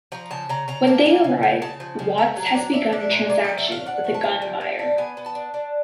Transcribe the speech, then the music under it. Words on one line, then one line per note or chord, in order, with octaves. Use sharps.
When they arrive, Watts has begun a transaction with a gun buyer.
F3 A#5
C#3 A5
C#3 A#5
C#3 A#5
A#3 A5
A#3 G#5
C#3
C#3
C#3 A5
F3
C#3
A3 A#5
F#3
A5
D4
D4 E5
D4
A#2
F#3 D5
A3 D#5
E5
D4 F5
D4 F#5
A3
A5
A#2
G3
G3
D4
B3 G#5
B3
A5
D4
D4